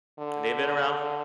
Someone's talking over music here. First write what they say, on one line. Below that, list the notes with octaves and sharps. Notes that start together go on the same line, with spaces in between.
And they've been around
D3